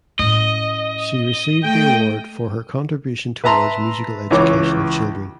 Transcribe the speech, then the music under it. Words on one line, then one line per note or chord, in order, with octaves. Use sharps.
She received the award "for her contribution towards musical education of children".
A2 C#4 D#5
A3 G5
B4 E5 A5 A#5 C6
C#2 E3 C#5 D6